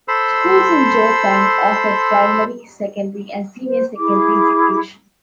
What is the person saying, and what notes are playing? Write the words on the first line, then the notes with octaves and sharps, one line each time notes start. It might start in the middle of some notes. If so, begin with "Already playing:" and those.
Schools in Jorethang offer primary, secondary and senior secondary education.
A4 C5 B5 C6 E6
C5
E4 G#4 D6